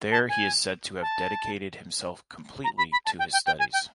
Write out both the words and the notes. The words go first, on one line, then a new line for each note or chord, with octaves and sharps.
There he is said to have dedicated himself completely to his studies.
A5
G#5
A5
A#5
B5
B5
A5
G5
G5
G5
G#5
G5